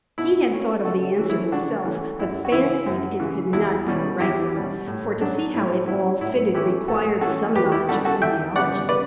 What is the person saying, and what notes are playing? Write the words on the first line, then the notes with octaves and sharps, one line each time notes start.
He had thought of the answer himself, but fancied it could not be the right one, for to see how it all fitted required some knowledge of physiology.
B2 E4
A3 C#4
C#3 F#4 A4
E3 A3 C#4
E4
C#3 D4 F#4
E3 A3 C#4
F#2 E4
F#4
C#3 E3 E4
F#2
C#3 E3
E2 E4
B2 G3 C#4
E2 E4 G4
B2 G3 C#4
A2
F#3 C#4 D4
A2 E4
F#3 C#4 E4
A2 E4
E3 A3 C#4 E4 G4
A2 F#4 A4
E3 A3 C#4 F#4 A4
E2 G4 B4
E4 G4
C#3 G3 B3 F#4 A4
F#4 A4
E2 E5 G5
C#3 G3 B3 D5 F#5
C#3 B4 D5